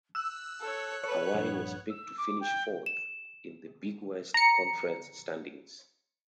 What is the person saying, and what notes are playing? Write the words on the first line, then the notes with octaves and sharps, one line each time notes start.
Hawaii was picked to finish fourth in the Big West Conference standings.
E6 F#6
A4 C#5
A4 B4 C#5
A#1 G2 B3
E6
D6
G5
E7
A#5 C#7